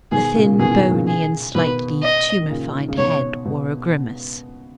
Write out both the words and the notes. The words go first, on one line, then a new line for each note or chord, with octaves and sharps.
The thin, bony, and slightly tumefied head, wore a grimace.
B2 D#3 G#4
A#2 C#3
B2 D#3 G#4
E3
B2 D#3
A#2 C#3
G#4
B2 D#3 B4
D#5
D#3
A#2 C#3
D#3
C#3
G#2 B2 C#5
B2